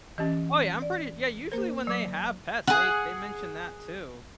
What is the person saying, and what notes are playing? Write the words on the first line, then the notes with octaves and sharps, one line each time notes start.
Oh, yeah, I'm pretty yeah, usually when they have pets, they they mentioned that too.
E3 C#4 G4 D#5
D5
A#3 A#4 C5
F#3 D6
G#4 F#5